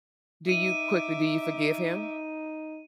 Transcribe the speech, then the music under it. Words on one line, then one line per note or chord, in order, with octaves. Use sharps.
Do you- quickly- do you forgive him?
D#4 E5 D6 D#7